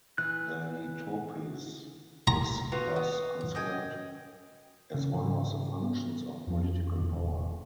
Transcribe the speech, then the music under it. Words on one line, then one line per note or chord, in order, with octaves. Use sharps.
The letopis is thus considered as one of the functions of political power.
E3 F#6
A#5
B3 F4 F#4
B3
D#5 G5 G#5
C#3 C#4
G#2 C#3 E3
B3
F2 F3
E1 E2 A2 D#3